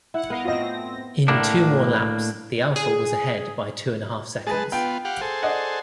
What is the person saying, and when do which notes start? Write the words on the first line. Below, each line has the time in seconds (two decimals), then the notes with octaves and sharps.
In two more laps, the Alfa was ahead by two and a half seconds.
0.14 E4 F#5
0.30 B3 A#4 D#5 F5
0.45 A2 C4 F4 D#5 A#6
1.28 A2 A#3 D4
2.76 G#4
4.47 G#3 G#4 B4 A5
4.72 B3 F4 G5
5.05 G4 F5 F#5
5.21 G#4 A4 C5
5.43 D5 D#5 F#5